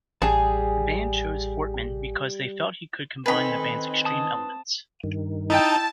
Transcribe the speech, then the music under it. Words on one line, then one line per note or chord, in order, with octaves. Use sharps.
The band chose Fortman because they felt he could combine the band's extreme elements.
A1 G3 G#4 A5
D#3 C4 A4 B4 D#5 G#5 B5
C4
A5 D#6
G2 D#3
D#4 E4 D#5 G5 A5